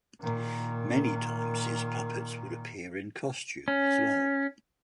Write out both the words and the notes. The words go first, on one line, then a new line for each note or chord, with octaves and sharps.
Many times his puppets would appear in costume as well.
A#2 D#3
C#4